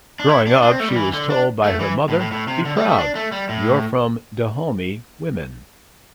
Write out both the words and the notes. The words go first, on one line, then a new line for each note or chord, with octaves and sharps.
Growing up she was told by her mother, Be proud, you're from Dahomey women!
D4
E4
D4
D4
C4
A3
G3
E3
D3
D4
A3
E3
A2
A2
A2
C3
D3
G3
A3
D4
A3
G3
A2